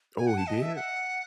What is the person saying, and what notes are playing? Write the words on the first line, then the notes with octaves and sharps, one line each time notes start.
Oh, he did?
G#5
F#5
A5
D#5
E5
F#5